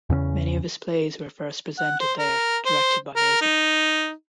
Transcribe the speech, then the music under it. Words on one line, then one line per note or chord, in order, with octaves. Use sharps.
Many of his plays were first presented there, directed by Mason.
E2 C#3 A#3 C#4
F#5
C5
A#4
C5
A#4
D#4